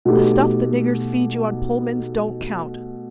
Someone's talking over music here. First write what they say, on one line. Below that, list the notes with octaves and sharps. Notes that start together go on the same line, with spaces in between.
The stuff the niggers feed you on Pullmans don't count.
B2 A3 D#4 G4